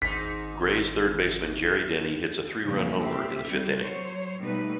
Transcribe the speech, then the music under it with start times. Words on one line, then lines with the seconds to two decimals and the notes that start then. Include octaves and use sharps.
Grays third baseman Jerry Denny hits a three-run homer in the fifth inning.
0.02 G#1 G#2 D#4 B6
2.66 F2 A#2 C#3 F3 G3
3.00 C4 G4 E5
3.47 G3 C4
3.81 F#3 C5 C#5
4.41 B2 G3 A3 B3 D#4 B4